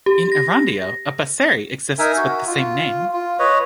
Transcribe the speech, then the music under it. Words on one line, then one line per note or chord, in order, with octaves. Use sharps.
In Erandio, a "baserri" exists with the same name.
G4
A#6
D#4 A#4 E5 G#5
F#4
F4
F4
B4 C#5 D#5